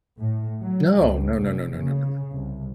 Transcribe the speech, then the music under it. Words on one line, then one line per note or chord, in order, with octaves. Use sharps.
No, no, no, no, no, no, no, no.
A2
F#3
C#2
F1
C#3
C2